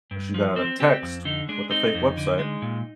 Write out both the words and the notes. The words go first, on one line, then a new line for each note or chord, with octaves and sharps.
she got a text with a fake website
G2
F3
C4
C4 G4
F2
D3 D#4
G#3 D4
C4 D#4
F2
D3
G#3
A#2